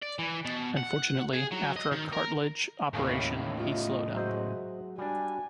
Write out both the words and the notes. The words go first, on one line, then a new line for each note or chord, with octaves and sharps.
Unfortunately, after a cartilage operation he slowed up.
D5
E3
B2
F#5
G#4
F#3
D#5
D#3
A#4
D#2 A2 C#3 E4 F5 G#5
E4 F4 G4 D#5
F#3 G#3 F#4 C5 E5
G3 D4 F#4 G#5